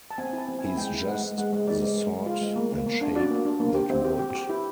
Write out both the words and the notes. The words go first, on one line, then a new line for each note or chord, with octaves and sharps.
He's just the sort and shape that would.
A5
C4 G#5
E4 A5
C4
G#5
E4
G#3 G5
E4
G#3 F#5
G#3
G#3 F#5
G#3
G#3 D5
G#3
G#3
G#3
F4
G#3
A#3
A#3
A#3
D4
F#4 D5
A#3
D4
A#3
G4
C4
G4
G4
G4
E4